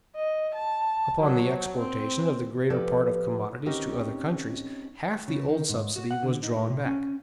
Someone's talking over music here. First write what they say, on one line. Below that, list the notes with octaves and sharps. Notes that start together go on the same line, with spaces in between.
Upon the exportation of the greater part of commodities to other countries, half the old subsidy was drawn back.
D#5
A5
F#3
C4
F3 G4 A4 B4 D5
C4 C#4 D#4 G4 A#4 D#5
C#3
D#3
G#2
F#4
F#5
D3
D#4
A2
C3
C#4